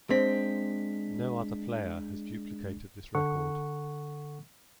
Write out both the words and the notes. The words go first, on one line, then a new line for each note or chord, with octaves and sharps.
No other player has duplicated this record.
G#3 C4 D4 B6
D3 A4 F#5 C#6